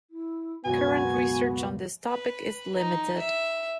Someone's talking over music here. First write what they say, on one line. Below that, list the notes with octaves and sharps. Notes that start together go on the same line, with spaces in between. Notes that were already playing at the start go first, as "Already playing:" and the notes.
Current research on this topic is limited.
E4
C#2 F#2 B2 B3 F#4 G#5
B4
D#4
E5